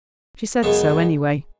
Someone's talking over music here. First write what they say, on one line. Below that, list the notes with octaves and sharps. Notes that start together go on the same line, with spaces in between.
She said so, anyway.
F#2 C#3 G#3 B3